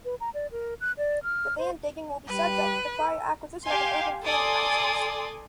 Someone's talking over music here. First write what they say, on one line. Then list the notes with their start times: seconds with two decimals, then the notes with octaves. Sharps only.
The land digging will be subject to the prior acquisition of an urban planning license.
0.05 B4
0.20 A#5
0.34 D5
0.52 A#4
0.81 F#6
0.98 D5
1.24 F6
1.58 C5
2.28 G3 B4
2.98 A4
3.65 G4 F5 G#5 C6
4.24 A4 D5 G#5 C6 D#6